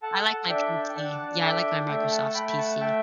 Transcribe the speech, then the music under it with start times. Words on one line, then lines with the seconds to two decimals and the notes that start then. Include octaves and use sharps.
I like my PC, yeah, I like my Microsoft's PC.
0.03 A4 F#5 A5
0.49 D4 E5 G5
0.89 G5
0.95 D4 F#5 A5
1.41 A4 E5 G5
1.88 A3 E5 G5
2.11 F#5 A5
2.34 A3 G5 B5
2.49 B5
2.58 F#5 A5
2.80 A4 E5 G5